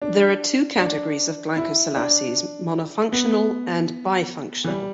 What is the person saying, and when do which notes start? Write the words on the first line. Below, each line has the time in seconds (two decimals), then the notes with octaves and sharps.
There are two categories of glycosylases: monofunctional and bifunctional.
0.02 D4
0.79 D4
1.57 E4
1.96 D4
3.12 B3
4.64 E3
4.68 G3